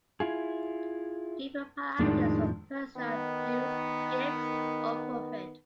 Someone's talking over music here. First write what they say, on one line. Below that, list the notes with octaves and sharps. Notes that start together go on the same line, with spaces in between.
People buy items for personal use, gifts, or profit.
E4 F4 G#4
F2 A2 D#3 F3 G#3 D4
D#3 B3